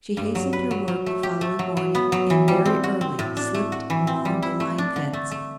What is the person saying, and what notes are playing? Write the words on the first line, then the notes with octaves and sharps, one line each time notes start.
She hastened her work the following morning, and very early slipped along the line fence.
G2
F#3
B4
F#3
F#3
A3
G4
A3
F#3
F#3
B3
F#3
E3
G3
C4
F#4
C4
A2
D4
A3
F#4
E3
C4
G3
E4
A3
D4
D3
A3
A3